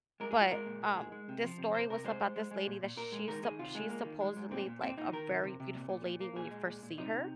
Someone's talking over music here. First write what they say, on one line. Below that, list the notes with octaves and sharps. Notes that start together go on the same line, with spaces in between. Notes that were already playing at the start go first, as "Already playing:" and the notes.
But, um, this story was about this lady that she's supp she's supposedly, like, a very beautiful lady when you first see her,
G#3 A#4
G#4
G#3
F4
G#3 A#4
A#2
G#2
G#3
G#3
C3
F3
C3
C3 C5
C3 A#4
G#3 C5
G#3
G#3
G#3
A#2
A#2
A#2 A#4
G#3
D#3 A#4
D#3 G#4
C3 F4
G#3
A#3
D#3
G#3
G#2
A#2 C4
A#2
A#2 C4
A#2 D#4
D#3 A#4
C3
C3
C3
A#2
A#2
A#2
A#3
A#2 G#4
G#3
A#2
A#2
C3 D#4
C3